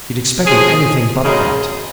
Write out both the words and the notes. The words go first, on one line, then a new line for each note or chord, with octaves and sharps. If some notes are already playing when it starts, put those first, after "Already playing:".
He had expected anything but that.
F3 G#3 C#4 G#4
F#2 C#3 G#3 D#4 G#4